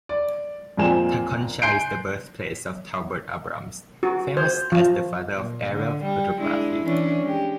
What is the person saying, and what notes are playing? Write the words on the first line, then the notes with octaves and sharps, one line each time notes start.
Tekonsha is the birthplace of Talbert Abrams, famous as the Father of Aerial Photography.
D5
F2 A#2 G#3 C4 G#5 E7
G#5 C6 F#6 G6 C7 D7
F#4
C5
F3
A#2
D3
G3
G#3 D4 E4
E3 C#4 D4
G#3 G4